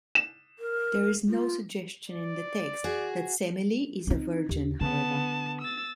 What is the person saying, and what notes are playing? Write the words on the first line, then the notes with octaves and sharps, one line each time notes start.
There is no suggestion in the text that Semele is a virgin, however.
E7
A#4
F4
D5
F#4 G#4
C4 D#4
D#2
D3 B3 A5
E6 A6